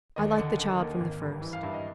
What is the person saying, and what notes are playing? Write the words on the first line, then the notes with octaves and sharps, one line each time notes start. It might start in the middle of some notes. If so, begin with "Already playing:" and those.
I liked the child from the first.
D#2 D#5
D3
D3
A#3
G#1
G2
E3
F5
G2 E5
D#5